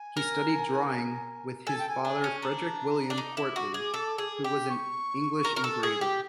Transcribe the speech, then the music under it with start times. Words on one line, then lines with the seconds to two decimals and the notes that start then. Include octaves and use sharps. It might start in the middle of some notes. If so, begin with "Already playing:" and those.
He studied drawing with his father Frederick William Quartley, who was an English engraver.
Already playing: G#5
0.17 A#4
1.67 A4 G#5
1.79 G5
1.88 G#5
2.05 D4
2.24 C#4
2.42 D4 A#5
3.10 D4
3.18 D#4 D6
3.37 E4
3.56 F#4
3.74 G#4
3.94 A4
4.18 G#4
4.44 G4
4.69 C#6
5.45 A#4
5.56 A#4
5.64 A4
5.83 G#4
6.01 G4